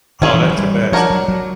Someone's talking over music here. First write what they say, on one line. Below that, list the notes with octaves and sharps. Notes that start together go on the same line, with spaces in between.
Oh, that's the best.
D#3 C#4 E4 G#4
E3
G3
F#3
G3
F3 D4 F#4 A#4 C#5
F#3
F#3